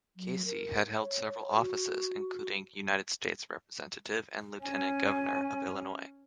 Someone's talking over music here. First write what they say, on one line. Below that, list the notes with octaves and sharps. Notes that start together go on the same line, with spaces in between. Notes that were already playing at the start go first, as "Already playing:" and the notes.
Casey had held several offices including United States Representative and Lieutenant Governor of Illinois.
F#3
A#4
C#5
F#4
C#4 G#5